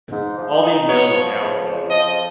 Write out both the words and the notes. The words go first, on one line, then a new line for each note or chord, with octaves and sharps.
All these mills are now closed.
G#2
F3
D#4
B3 C#5
F3
C#3
F2
F3 D#5